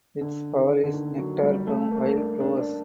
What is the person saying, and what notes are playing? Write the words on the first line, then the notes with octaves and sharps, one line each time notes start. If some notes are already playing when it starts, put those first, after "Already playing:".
Its power is nectar from wild flowers.
D3
D#3
D3
D#3
F#3
G3
A3
A#3
D4
D4
D4